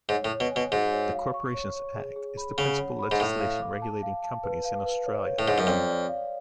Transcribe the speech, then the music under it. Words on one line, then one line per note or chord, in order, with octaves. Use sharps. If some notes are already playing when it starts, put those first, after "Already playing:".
The Corporations Act is the principal legislation regulating companies in Australia.
G#2 C#5
A2
C#5
B2
G#5
B2
G#2 F#4
C#5
F5
C#6
C#5
C#5
G#4
G#4
B5
C#3 F#5
C#5
B5
G#2
A2 A4
F5
D6
A5
F5
A5
B4
F5
B4
C#5
C#5
A2
G#2 C#5
F#2
F2 D5
D5
F5